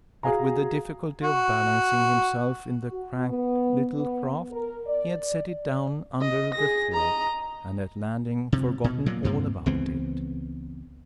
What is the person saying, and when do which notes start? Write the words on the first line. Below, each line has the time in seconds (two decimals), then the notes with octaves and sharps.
But with the difficulty of balancing himself in the crank little craft he had set it down under the thwart, and at landing forgotten all about it.
0.23 F#4 G#4 F5 G#5 A#5
1.23 F#4
2.91 F#4
3.28 B3
3.94 B3
4.51 A#4
4.86 D5
6.21 D#5
6.55 G#4 A#6
6.94 D#5 A#5
8.52 C3
8.84 B2
9.06 A#2 F#3 A#3
9.23 D2 G2 C3 A#3
9.66 C#2 E3 B3 C4